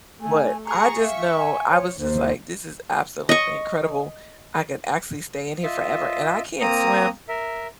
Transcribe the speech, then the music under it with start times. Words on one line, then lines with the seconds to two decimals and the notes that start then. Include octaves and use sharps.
but I just know I was just like, "This is absolutely incredible. I could actually stay in here forever." And I can't swim,
0.21 A3 G#5
0.67 G#4 G#5 A#5 C#6
1.00 E5 F5 C#6
1.37 G#5
1.69 C#5
2.00 D#2 C5
3.29 D#5 C#6
5.63 F4 D#5 E5
6.61 A#3 C4 A#5 D#6
7.28 A#4 E5